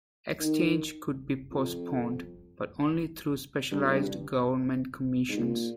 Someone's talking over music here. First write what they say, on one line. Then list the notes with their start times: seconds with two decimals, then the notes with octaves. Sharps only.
Exchange could be postponed, but only through specialised government commissions.
0.40 D#3
1.52 F2
3.71 G2
3.83 F2
3.93 G2
5.29 G#2
5.37 A#2